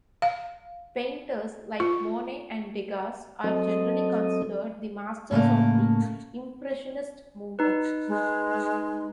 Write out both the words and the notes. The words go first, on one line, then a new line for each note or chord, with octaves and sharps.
Painters like Monet and Degas are generally considered the masters of the impressionist movement.
F5
F4
F#3 C4 A4 D#5
A2 C#3 A3 A#3
D#4 B4
G#3